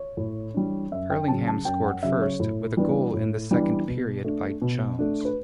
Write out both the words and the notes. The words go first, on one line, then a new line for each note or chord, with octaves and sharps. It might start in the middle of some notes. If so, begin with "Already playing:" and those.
Hurlingham scored first, with a goal in the second period by Jones.
Already playing: C#5
A2
E3 G3 D4
F#2 E5
G5
C#3 F#3 A5
A5
F#2 G5
F#5
C#3 F#3 E5
C#5
A2
E3 G3 B3 D4
A2
E3 G3 B3 D4
B2
A3 D4
B2
A3 D4
B4